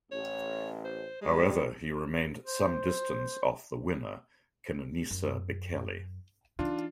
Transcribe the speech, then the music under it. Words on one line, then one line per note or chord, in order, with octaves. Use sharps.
However, he remained some distance off the winner Kenenisa Bekele.
A1 C#5
C5
G3 G#3
C5
F#2
E3 D4 D#4 F4